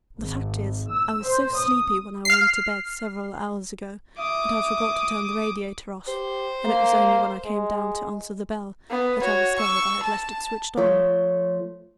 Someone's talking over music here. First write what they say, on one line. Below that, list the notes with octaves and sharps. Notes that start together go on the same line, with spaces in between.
"The fact is, I was so sleepy when I went to bed, several hours ago, that I forgot to turn the radiator off, and it was only when I came down to answer the bell that I discovered I had left it switched on."
G#1
E6
C5
D#6
F6 C7
E5 D6 D#6
G4 C5
A#3
G#3
B3
F#4 C#5
C#6 E6
A5
F3 A3 C#5